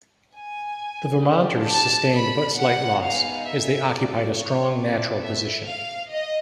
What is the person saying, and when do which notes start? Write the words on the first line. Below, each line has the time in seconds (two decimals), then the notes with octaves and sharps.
The Vermonters sustained but slight loss, as they occupied a strong, natural position.
0.36 G#5
1.24 D4 G4
1.68 A5
2.12 B5
2.56 F#5
3.00 B3 D#4 G#4 F5
3.44 E5
3.89 D5
4.32 C#5
4.77 A3 C4 E4 A4 D5
5.22 E5
5.65 F5
6.10 D#5